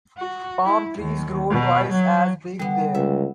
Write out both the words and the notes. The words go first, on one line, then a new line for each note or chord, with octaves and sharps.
Palm trees grow twice as big there.
F#4
E4
D#2
B2
F#3
D3 G3 B3
C#2 E5